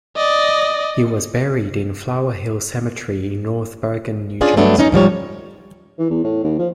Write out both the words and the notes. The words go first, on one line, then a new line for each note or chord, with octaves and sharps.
He was buried in Flower Hill Cemetery in North Bergen, New Jersey.
D5 D#5
C#4 D4 F4 G#4 D5
G2 F#3 A3 B3 D4
C#4 D#4 D#5
G#2 F3 G3 C#5
E3
E2
A2
D#2
F3